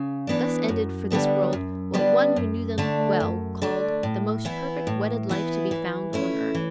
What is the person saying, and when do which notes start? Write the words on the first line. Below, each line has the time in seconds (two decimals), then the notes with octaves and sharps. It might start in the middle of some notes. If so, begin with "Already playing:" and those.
Thus ended, for this world, what one who knew them well called "the most perfect wedded life to be found on earth."
Already playing: C#3
0.27 E3 B3 D4
0.68 F#2
1.10 D3 G3 B3 D4
1.53 F#2
1.94 D3 G3 B3 D4
2.36 F#2
2.78 D3 A3 D4
3.20 F#2
3.62 D3 A3 D4
4.03 A2
4.45 E3 B3 E4
4.87 A2
5.29 E3 B3 E4
5.71 E3
6.13 A3 C#4 E4
6.55 E3